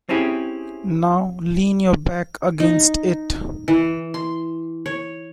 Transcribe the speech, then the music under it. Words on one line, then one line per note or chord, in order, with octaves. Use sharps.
Now lean your back against it.
C4 C#4 E4 G4 G#4
D#4
E3
C6
C#5